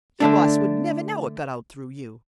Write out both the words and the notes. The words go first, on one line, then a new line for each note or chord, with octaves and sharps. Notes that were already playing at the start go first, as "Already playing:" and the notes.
"Your boss would never know it got out through you."
D3 A3 D4